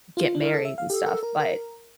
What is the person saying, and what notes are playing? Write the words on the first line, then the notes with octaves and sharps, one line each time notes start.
get married and stuff, but,
F4
D4
E4 A#4
A4
E5
F5
G4 A4
A#4
A#4
A#4